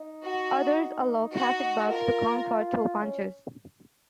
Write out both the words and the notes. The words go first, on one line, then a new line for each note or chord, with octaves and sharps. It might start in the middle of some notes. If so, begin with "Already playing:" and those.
Others allow "classic" bugs to count for two punches.
Already playing: D#4
F#4
F#4
F4 A#4
C#4